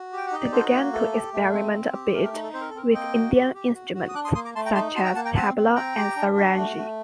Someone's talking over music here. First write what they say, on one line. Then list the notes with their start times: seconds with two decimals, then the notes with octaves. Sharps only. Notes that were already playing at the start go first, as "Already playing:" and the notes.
They began to experiment a bit with Indian instruments, such as tabla and sarangi.
Already playing: F#4
0.13 G4 G5
0.27 F#5
0.32 D#4 D#5
0.43 D5
0.52 F#4 A4 C5
0.72 A#3
0.93 A3 A4
1.12 G4
1.34 A3
1.53 C4
1.73 C4
1.93 G4
2.13 A3 A#4
2.24 A#4
2.33 D#4
2.43 A4
2.54 C4 C5
2.61 A#4
2.70 A4
2.74 C4 A#4
2.94 A#3 D#5 G5
3.15 F#4
3.34 G4
3.54 G4
3.75 F#4
3.94 F#4
4.09 D#6
4.14 D4 D6 F#6
4.24 C6 D#6
4.35 A#3 C6 D#6
4.45 A#5 D6
4.55 A3 A5 C6
4.65 G5 A#5
4.75 D#4 A5 C6
4.95 F#4 A5 C6
5.05 G5 A#5
5.15 A#3 F#5 A5
5.25 G5 A#5
5.35 C4 F#5 A5
5.56 C4
5.75 C4 G5 A#5
5.97 G4
6.16 D4
6.36 F#4
6.57 A3
6.77 A3